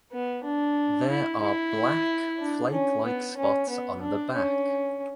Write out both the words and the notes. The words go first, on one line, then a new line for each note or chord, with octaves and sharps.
There are black flake-like spots on the back.
B3
D4
E4
E4
D4
C#4
B3
C#4
B3
D4
C#4